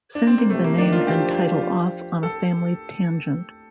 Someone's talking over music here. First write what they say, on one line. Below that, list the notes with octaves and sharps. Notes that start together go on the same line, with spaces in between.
Sending the name and title off on a family tangent.
D4
C4
A#3
C3 A3
A#3
D#3 D4
F4
F3 G4
A4